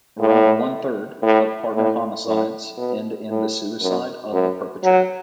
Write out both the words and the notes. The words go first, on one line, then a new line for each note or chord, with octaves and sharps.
Around one-third of partner homicides end in the suicide of the perpetrator.
A2
A2
A2
A2
B2
A2
F#2
F#2
F#3